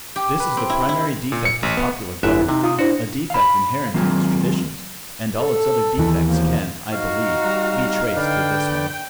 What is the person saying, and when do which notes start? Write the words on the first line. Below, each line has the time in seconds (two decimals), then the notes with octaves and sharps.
This is the primary defect of popular government, a defect inherent in its traditions, and all its other defects can, I believe, be traced to this one.
0.16 G4
0.40 B4
0.57 C4
0.70 E4
0.89 E4
1.32 A#2
1.45 C#7
1.63 A1
1.77 B3
2.23 G1 F#2 E4 E5 F#6
2.49 C3 D#4
2.64 F4 D#6
2.79 D4 E4 F#4 C5
3.30 F5 B5
3.94 D#3 F#3 G#3 A#3 C4 F4
5.39 A4
5.98 D#2 E3
6.27 F3 F#3 A#3
6.93 D#4 F#4 F5
7.44 G3 A#5
8.17 D3 B4 D5 G5